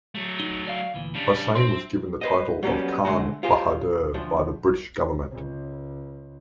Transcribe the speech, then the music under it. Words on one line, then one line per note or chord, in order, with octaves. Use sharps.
Hossain was given the title of Khan Bahadur by the British Government.
F#3 A3
D#4
D5 F5
D2 A#2 E3
C#3 G3 D4
C4 D4 E5 C6
B4 C5 D#5
F#3 G3 A#3 B3 C#4
D3 G#3 A3 F#4
F4 G4 G#4 C5
D2 F3
C#2